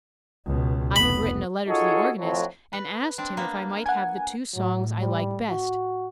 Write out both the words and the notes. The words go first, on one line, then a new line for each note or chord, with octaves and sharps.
I have written a letter to the organist, and asked him if I might have the two songs I like best.
C#2 B2
F1 B3 B5
D#4 F4 F#4 G#4 A4 C#5
F2 A2 F3 F#3
B4
C4 D4
A#3 B3
F#5 G#5
A2 F#3
G3
F#4